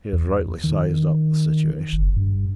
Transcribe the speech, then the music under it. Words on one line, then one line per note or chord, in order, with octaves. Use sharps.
He had rightly sized up the situation.
E2
D#3
F#1
G2